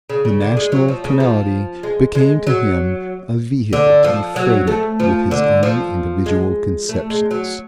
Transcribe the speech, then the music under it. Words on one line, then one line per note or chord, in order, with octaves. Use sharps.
The national tonality became to him a vehicle to be freighted with his own individual conceptions.
C#3
C#3
D3
G#3
F#3
F3
C#3
F3
G#3
G#3
F#3
D3
F3
F#3
A3
F3
D3
F3
G#3
A3
G#3
F#3